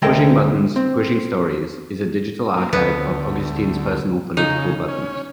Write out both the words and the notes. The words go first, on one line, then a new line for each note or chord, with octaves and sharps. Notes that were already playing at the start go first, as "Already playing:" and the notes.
"Pushing buttons, pushing stories" is a digital archive of Augustine's personal political buttons.
D2 G#3 A4 A#4 D#5 G5
C4
A#3
D2 B3
C#3 D#4
C#4